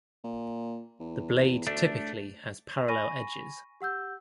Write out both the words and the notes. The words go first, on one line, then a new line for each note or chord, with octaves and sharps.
The blade typically has parallel edges.
A#2
E2
D2 A3 D4
G#5 B5 C#6 A#6 D#7
G4 F#5 E6 G6